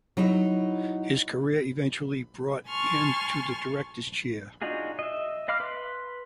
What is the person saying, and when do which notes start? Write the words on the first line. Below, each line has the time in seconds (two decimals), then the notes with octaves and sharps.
His career eventually brought him to director's chair.
0.17 F#3 D#4 E4 D#5
2.67 G#5 A5 C6 C#6 F6 A6
4.62 D4 D#4 F4 F#4 G#4
4.99 D#5 E5
5.48 D#5 F5 B5 D6 F6
5.60 B4 C6